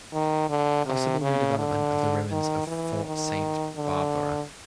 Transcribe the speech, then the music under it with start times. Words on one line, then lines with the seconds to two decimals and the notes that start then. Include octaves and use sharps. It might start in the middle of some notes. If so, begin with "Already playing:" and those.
Possible redevelopment of the Ruins of Fort Saint Barbara.
0.13 D#3
0.49 D3
0.86 C3
1.21 C#3
1.58 D3
2.31 D#3
2.67 E3
3.04 D#3
3.76 D3